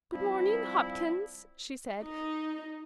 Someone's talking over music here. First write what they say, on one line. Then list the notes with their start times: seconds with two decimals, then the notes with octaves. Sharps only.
"Good morning, Hopkins," she said.
0.13 F3 G3 C4 E4
2.02 D#4